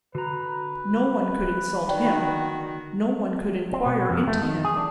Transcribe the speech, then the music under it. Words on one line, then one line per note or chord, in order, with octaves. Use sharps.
No one could insult him; no one could inquire into him.
D3 F#4 B4 A#5
D#3 F#4 D5 G5 B5
C4
B2
F2
A3
D#3
G#4
D4